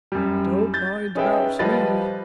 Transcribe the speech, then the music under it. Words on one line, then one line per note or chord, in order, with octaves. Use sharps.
Don't mind about me.
F#2 G3
G6 A6
C#4 D#4 G#4 B4 E5 G5
F3 G3 B4 D#5 A6